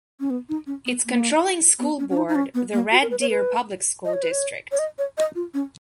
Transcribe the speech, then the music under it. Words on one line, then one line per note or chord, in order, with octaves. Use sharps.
Its controlling school board, the Red Deer Public School District.
C#4
B3
D#4
C#4
B3
A#3
B3
C#4
C#4
D#4
D#4
C#4
B3
A#3
F#4
A#4
B4
C#5
B4
D#5
C#5
B4
C#5
C#5
D#5
C#5
D#5
F4
C#4